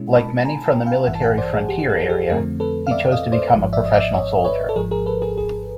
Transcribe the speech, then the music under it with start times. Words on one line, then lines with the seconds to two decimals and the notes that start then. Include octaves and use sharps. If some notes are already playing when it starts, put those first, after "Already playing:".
Like many from the Military Frontier area, he chose to become a professional soldier.
Already playing: B2 G#3 C#4 E4
0.14 A5 B5
0.45 G#5 A#5
0.65 G5 A5
0.86 F5 G5
1.07 A1 G2 E3 E5 F#5
1.15 A5
1.22 F#5 G#5
1.38 C5 D5
1.53 G#4
1.69 G4
1.89 G#4
2.09 G4 A4
2.30 F2 D3 F3 A3 C4 G#4 A#4
2.60 A4 B4
2.87 F5
2.91 D5 E5
3.11 D#5 F5
3.32 C5 D5
3.53 G#1 G#2 F3
3.73 D5 E5
3.86 D#5
3.94 D5 E5
4.14 C#5 D#5
4.44 B4 C#5
4.69 A4
4.76 G#1 G#2 F3 G#4 A#4
4.91 G#4 A#4
5.06 A4 B4
5.22 G#4 A#4
5.38 G#4